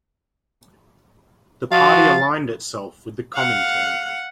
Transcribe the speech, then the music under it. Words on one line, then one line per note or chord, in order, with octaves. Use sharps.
The party aligned itself with the Comintern.
F3 F#4 F5 A6
F5 F#5